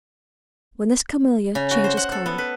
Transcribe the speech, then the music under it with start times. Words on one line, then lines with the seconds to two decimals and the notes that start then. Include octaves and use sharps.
"When this camellia changes colour."
1.55 C#3
1.71 F#4
1.84 C5
1.97 F#5
2.12 A4
2.26 B3
2.38 B4